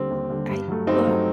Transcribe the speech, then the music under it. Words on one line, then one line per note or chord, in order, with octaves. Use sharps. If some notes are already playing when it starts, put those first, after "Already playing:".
I uh,
Already playing: D#2 D3 G3 C4
D#2
D3 G3
G2
F#3 A3
G2 C4 D#4
F#3 A3